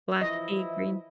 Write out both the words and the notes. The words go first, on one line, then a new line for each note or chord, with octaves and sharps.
Black tea, green
E3 F3 E4 D#5